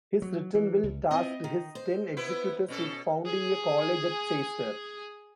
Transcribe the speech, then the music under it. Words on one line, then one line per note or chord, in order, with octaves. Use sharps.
His written will tasked his ten executors with founding a college at Caister.
F#3
E3
C#2
C4 E4 F4 D#5
D#3
C5
B3 E4 B4
B2 C#4 A4
G#4 G#5